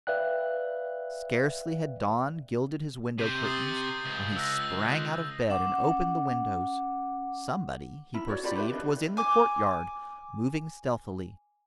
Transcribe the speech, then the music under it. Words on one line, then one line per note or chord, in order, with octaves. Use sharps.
Scarcely had dawn gilded his window curtains when he sprang out of bed and opened the windows. Somebody, he perceived, was in the courtyard, moving stealthily.
B4 D5 E5 F5 G5 F#6
C3 G6 D#7
D#6 A6 C7
C#2
E6 F#6 A#6
C#4 F#5 D6
E4 B5
F#4 C#5 D5
F4 G4 D5 B5
G4 B4 E5
D4 D5 D#5
G#5 D6